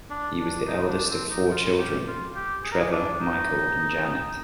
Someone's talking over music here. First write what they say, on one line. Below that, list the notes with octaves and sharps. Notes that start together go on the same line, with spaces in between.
He was the eldest of four children: Trevor, Michael, and Janet.
D4
D4
D#4
D#4
D4
C4
D#4
F4
G4
F4
G4
G#4
A#4
G#4
D4
D#4